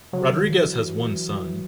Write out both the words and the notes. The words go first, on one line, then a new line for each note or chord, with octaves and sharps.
Rodriguez has one son.
C#3 F#3
D#3
D#3
E3
E3